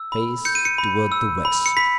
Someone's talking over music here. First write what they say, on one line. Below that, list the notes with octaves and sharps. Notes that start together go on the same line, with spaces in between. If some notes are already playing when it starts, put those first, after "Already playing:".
Face toward the West!
Already playing: E6
B5
G6 C#7
D#7
C#7
B5
E6
B5
C#7
B5 B6